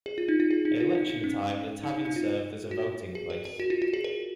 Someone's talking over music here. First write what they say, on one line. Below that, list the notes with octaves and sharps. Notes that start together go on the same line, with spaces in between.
At election time, the tavern served as a voting place.
G#4
F4
D#4
F4
G#4
D#4
F4
D#4
D#4
C#4
D#4
D#4
D#4
F4
F#4
G#4
A#4
A#4
F#4
F4
F#4
G#4
A#4